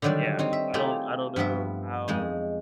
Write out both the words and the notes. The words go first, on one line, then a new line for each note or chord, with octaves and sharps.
Yeah, I don't I don't know how
D3 D#3 F#3 G3 D5
C4 D#4 C#5
E5
A3 E4 F4 G4 G#4 E5
G2 F3 B3 E5
F2 G#3 D#4